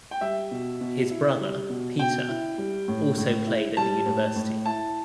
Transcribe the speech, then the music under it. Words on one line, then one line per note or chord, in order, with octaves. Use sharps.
His brother, Peter, also played at the university.
G5
G3 E5
B2
B2
E4
G3
B2
B2 G5
E4
G3
A2
A2
E4
G3 A5
A2
A2
E4 A5